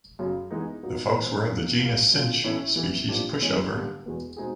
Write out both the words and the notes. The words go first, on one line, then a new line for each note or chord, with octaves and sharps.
The folks were of the genus cinch, species pushover.
F#2 C#3 F#3
E3 G#3 B3 D#4
A#2 F#3 B3 D#4 F#4
E3 A3 C4
D#3 G3 A#3
C2 A#2 G3 A#3
B2 G#3 C#4 F4
A2 E3 A3 C#4 E4
E3 G3 B3 E4
A#2 F3 A#3 D4 G4
E3 G#3 C#4 E4
D3 G3 A#3 D4 G4
E2 B2 G#3 B3
B2 G#3 C4 D#4 G#4